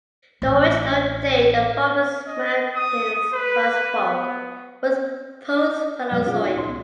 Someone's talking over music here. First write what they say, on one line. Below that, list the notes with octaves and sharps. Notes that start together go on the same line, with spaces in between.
The original date of the Roberts Mountains thrust fault was post-Paleozoic.
A1
D#5
D#6
B4
B3
F2 B2 F#3 G#3 D5 F6
C#4 F4 G#4
D#4 F#4
C2 A#2 C6
B3